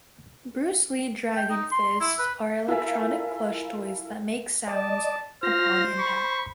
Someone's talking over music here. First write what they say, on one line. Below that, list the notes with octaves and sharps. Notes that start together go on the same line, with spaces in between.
Bruce Lee Dragon Fists are electronic plush toys that make sounds upon impact.
G5
D#4
C6
E4
B4
E4 F4 A4 A#4 E5 G#5
D5 D#5 A5
F4 C5 F6 A#6
B5 C#6